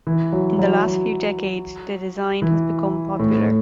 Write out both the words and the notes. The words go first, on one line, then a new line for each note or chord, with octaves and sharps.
In the last few decades, the design has become popular.
E3
F#3
F#3
F#3
E3
A2
A2